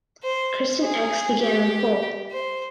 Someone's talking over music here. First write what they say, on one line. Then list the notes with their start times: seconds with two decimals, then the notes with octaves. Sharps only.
Christian Eckes began on pole.
0.23 C5
0.82 G#4
1.42 G4
2.31 C5